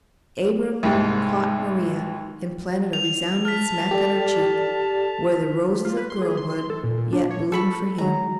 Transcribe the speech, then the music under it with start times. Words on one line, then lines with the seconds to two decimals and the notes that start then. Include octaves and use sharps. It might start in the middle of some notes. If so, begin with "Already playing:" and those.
Abram caught Maria, and planted a resounding smack on her cheek, where the roses of girlhood yet bloomed for him.
0.83 C2 G#2
2.93 F7
3.45 A5 F6 B6
3.91 G4 A4 D5
5.85 F4
5.97 B4
6.10 C6
6.22 G#4
6.37 C6
6.50 C6
6.70 A4
6.84 A#2
6.98 A#2
7.13 D4
7.31 C#5
7.52 A4 B5 C#6
7.98 F#3 G#3 A#5